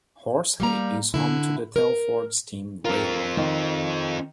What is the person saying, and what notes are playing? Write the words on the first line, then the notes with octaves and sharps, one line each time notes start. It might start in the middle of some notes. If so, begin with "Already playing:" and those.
Horsehay is home to the Telford Steam Railway.
G3 A#3 A#5
D3 E4
A#4
C4 F4 A#4
D#3